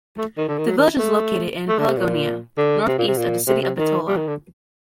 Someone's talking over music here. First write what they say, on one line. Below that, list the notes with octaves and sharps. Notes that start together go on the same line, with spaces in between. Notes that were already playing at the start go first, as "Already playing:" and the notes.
The village is located in Pelagonia, north-east of the city of Bitola.
A3
D#3
D3
D#3
F#3
D#3
A3
A3
D3
C3
A#2
D3
C3
A#2
C3
A#2
C3
C3
D#3
G3
D#3
D3